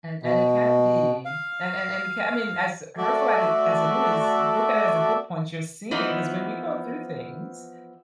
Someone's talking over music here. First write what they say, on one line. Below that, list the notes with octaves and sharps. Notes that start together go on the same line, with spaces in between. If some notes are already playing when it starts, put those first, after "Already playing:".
An and it can be an an and it can, I mean, as hurtful at as it is, look at it as a good point you're seeing, 'cause when we go through things,
B2
F5
A3 F#4 A4 D5 E5
E3 F3 B3 D#4